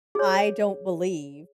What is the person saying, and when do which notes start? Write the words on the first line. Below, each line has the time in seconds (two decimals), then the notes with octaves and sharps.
I don't believe
0.15 G#4 C#5